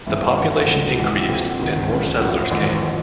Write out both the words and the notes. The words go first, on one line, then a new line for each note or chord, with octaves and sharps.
The population increased and more settlers came.
G1 G2 E3 E5
F5
G#1 G2 E3 F#5
F5
C#2 C#3 F3 F#5
A1 G#2 E3 F#5
G5
D2 C3 F3 G5
F#5
C#2 C3 D#3 F#5
C#2 C#3 F3
A1 A2 F3 F#5
A1 G#2 D#3
F3 F#5